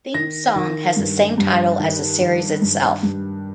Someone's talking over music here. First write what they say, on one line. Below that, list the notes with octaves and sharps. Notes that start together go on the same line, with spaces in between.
Theme song has the same title as the series itself.
D#3 A#6
D#3
G2
G2
D#3
D#3
G2
G2